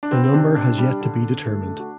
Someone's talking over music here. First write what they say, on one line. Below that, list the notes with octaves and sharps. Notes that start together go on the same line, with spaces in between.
The number has yet to be determined.
D4
B3 C4
C4
C3 D4
C3 D4
G3
D3
D3
A3
A3
F#4